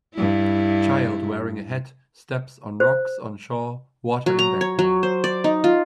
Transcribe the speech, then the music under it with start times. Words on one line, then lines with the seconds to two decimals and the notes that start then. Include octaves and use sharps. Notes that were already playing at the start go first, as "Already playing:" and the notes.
Child wearing a hat steps on rocks on shore, water in background.
0.15 G2 E4
2.80 C5
4.26 F#3
4.39 A#5
4.61 C#5
4.79 F#3
5.03 C5
5.24 D5
5.44 D#4
5.64 F4